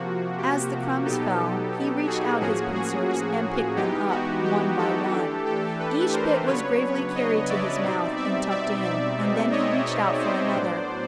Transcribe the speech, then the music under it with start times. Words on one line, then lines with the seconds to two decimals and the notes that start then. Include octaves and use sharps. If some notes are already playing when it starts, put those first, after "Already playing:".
As the crumbs fell, he reached out his pincers and picked them up, one by one. Each bit was gravely carried to his mouth, and tucked in, and then he reached out for another.
Already playing: C3 F3 A#3 F#4
0.38 G4
1.05 B2 F#3 B3 D#4 G4 A4
2.07 F#4 G#4
2.41 A2 F3 A#3 C#4 F#4 G#4
2.75 F#4 G#4
3.08 F#4
3.76 E3 G#3 B3 D#4 G4
4.11 F#4
4.44 G4
4.78 G4 A4
5.12 E3 A3 D4
5.46 G4 A4
5.79 A4 B4
6.13 A#4 C5
6.47 C#3 F#3 B3 D4 B4 C#5
7.15 C#5 D#5
7.49 D5 E5
7.83 B2 G3 C4 D#4
8.17 D5 E5
8.51 D5 E5
8.85 D5 E5
9.18 B2 G#3 C4 D#4
9.52 C#5 D#5
10.20 C5 D5
10.54 A2 F#3 B3 D4